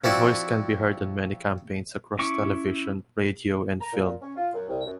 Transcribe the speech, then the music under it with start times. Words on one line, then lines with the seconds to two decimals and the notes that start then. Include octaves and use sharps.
Her voice can be heard on many campaigns across television, radio and film.
0.04 F3 C4 E4 F#4 D5 E5
2.19 C#4 E4 C#6 D6
3.81 A#5
3.93 A#2
4.22 C#4
4.36 F4
4.54 F#2
4.69 C2
4.85 F#2